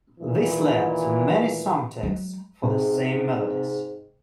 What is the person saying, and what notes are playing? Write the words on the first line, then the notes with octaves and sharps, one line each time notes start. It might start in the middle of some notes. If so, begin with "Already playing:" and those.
This led to many songtexts for the same melodies.
D#2 A#2 E3
F#3 G#3
G#2 C3 G#4